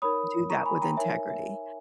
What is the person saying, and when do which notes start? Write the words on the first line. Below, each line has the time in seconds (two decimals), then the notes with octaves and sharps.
do that with integrity.
0.02 D#4 A#4 C#5 B5 D#6
0.50 A#5 C#6
0.66 G#5 B5
0.82 G5 A#5
0.97 D#4 A#4 C#5 E5 G#5
1.29 E5